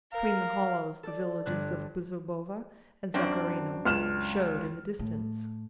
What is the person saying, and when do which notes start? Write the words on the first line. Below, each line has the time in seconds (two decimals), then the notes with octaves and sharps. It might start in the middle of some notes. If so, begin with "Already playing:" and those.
Between the hollows the villages of Bezubova and Zakharino showed in the distance.
0.12 A#4 F5
1.03 A4 D5
1.46 G1 D4 F#6
3.14 F#2 C4 D4
3.85 C#2 F6 E7
4.99 A2